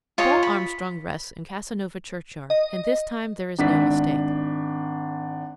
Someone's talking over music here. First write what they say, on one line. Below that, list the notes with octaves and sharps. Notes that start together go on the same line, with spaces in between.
Paul Armstrong rests in Casanova churchyard, and this time there is no mistake.
F4 C#5 D#5 G#5
B5
D#5
G#1 D4 B6